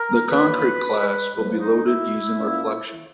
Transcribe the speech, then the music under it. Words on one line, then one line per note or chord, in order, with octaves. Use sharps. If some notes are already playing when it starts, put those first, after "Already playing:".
The concrete class will be loaded using reflection.
Already playing: A#4
F#2 E3 A#3 C#4 B4
G#2 F#3 A#3 B4
D#4
E4
A#2 A#3 C#4